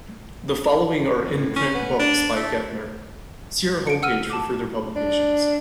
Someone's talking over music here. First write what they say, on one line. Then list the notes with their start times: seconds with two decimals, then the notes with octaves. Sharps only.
The following are in-print books by Gentner; see her home page for further publications.
1.21 F2
1.37 A2
1.56 C#4
1.75 B3
1.99 D4
2.36 A3
3.87 C#7 D7
4.03 F#5 E6 F6 D#7
4.30 A5 D6
4.96 D4